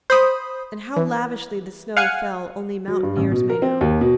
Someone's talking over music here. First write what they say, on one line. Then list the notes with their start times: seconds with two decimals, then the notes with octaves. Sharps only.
And how lavishly the snow fell only mountaineers may know.
0.10 C5 B5 D#6
0.96 E3
1.97 F5 F#5 G#5 C#7
2.88 F#3
3.03 G2
3.16 A1
3.32 B2
3.50 A#4
3.62 C4
3.81 D#2
4.01 B2